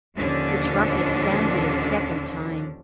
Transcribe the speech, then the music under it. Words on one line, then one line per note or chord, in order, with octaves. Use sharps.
The trumpets sounded a second time.
D#2 A#2 D3 F3 C#4 D4